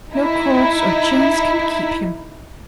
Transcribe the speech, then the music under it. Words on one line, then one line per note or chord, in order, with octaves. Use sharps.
No cords or chains can keep him.
D#4 E4